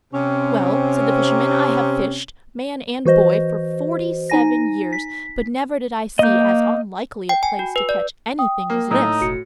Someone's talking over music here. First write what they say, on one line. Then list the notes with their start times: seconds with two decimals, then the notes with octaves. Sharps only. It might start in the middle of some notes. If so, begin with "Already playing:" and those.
"Well," said the fisherman, "I have fished, man and boy, for forty-seven years, but never did I see as unlikely a place to catch anything as this."
0.13 C3 C4 C#4
3.05 E3 F#4 C5 D#5
4.30 D#4 G#5 A#6
4.93 B6
6.19 A#3 D#5 G6
7.29 G5
7.43 G#5
7.59 F#4
7.76 B4
7.89 D5
8.39 G5 D#6
8.70 A#3
8.91 A2 D#4 E6
9.21 E1 F#4 C#7